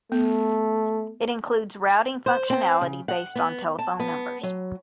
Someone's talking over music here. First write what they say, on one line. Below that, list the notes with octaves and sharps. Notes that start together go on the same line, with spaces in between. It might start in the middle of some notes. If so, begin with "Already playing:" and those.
It includes routing functionality based on telephone numbers.
A3 B3
C5
C4
C#3
F#5
B3
A5
B3
F#3